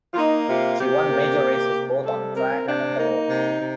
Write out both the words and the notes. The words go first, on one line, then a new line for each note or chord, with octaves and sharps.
She won major races both on the track, and on the road.
F4
A#3 D#4
C3 F4
C3 G4
A#3
C3
C3
G3 A4
C4 A#4
C3 D4
A#3 D#4
C3
C3